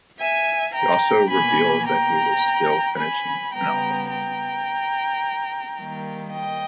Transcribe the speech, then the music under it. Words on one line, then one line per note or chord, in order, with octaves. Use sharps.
He also revealed that he was still "finishing" the album.
E5 G#5
G5 A#5
B2 A#3 G#5 B5
G5 A#5
G#5 B5
C#3 G3 B3 G5 A#5
G5 A#5
D#3 G3 A#3
D#5 G5